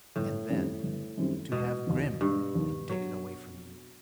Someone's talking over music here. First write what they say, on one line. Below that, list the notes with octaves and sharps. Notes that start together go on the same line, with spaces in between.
And then--to have Grimm taken away from you!
G1 A2
F#2 D#3 G3 C4
G1
F#2 D#3 G3 C4
E1 B2
D#2 D#3
E1 G2
D#2 D#3
F#3